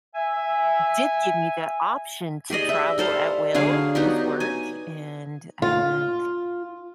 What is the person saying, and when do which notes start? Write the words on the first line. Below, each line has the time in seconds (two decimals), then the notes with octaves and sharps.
did give me that option to travel at will with work, and, um,
0.15 E5 G#5
2.50 G4 G#4 D5 D#5
2.69 E5
2.98 G3 A4 C5 F5
3.54 D3 F#3 G#4 F5
3.95 F#3 B3 D#4 G4
4.40 G#5
5.62 F4